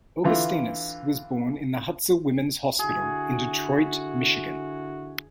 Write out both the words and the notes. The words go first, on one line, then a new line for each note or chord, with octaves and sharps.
Augustinus was born in the Hutzel Women's Hospital in Detroit, Michigan.
D3 E3 F4
D3 E4 F#4 G#4